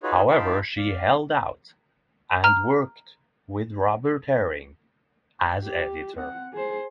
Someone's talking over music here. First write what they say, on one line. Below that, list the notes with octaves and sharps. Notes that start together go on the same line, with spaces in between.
However she held out and worked with Robert Herring as editor.
D#4 F4 F#4 G#4 B4 C#5
D#4 F4 F5 G5 A5 B5
D5 F5
A#5 F6
G4
C4 F#5
G#4 C5